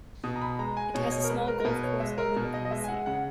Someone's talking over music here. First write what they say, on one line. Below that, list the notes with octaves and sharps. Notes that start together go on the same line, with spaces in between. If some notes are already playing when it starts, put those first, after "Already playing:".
It has a small golf course overlooking the sea.
B2 D#6
A#5
B5
G#3 A#5
G#5
B2 C#5
D#5
C#5
A#4
G#3 B4
A#4
A#4
B2 B4
C#5
G#3 E5
A#4
B2
D#5
D#5
G#3 E5
G#5
F#5
C#3 F#5